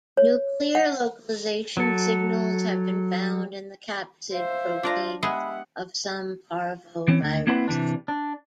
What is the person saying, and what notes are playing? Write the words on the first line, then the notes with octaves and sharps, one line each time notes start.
Nuclear localization signals have been found in the capsid proteins of some parvoviruses.
C#5
F#5
F#3 A4
C5 E5 F5
D4 F4 D5 A#5
G#3 B3 G4 G#4 E5 F#5 B5
E3 C4 C#4
D2
A#3 C4 E4 B4 F#5 C6
C3 D#3 E3 D4
D4